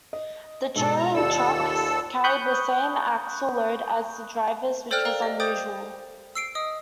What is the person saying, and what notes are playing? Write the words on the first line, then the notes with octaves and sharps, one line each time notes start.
The trailing truck carried the same axle load as the drivers, which was unusual.
D#5
G#2 B2 A4
A#5
D#2 F4 G4 A4 D5 E6
B5 C#6 D#6 F#6 G6
A4 C5 D5 G5 F6 F#6
A#4 D5 F5 A#5
G4 D#5
C5 G5 D6 D#6 G6 A6
E6 C7 D7
D#5 D#6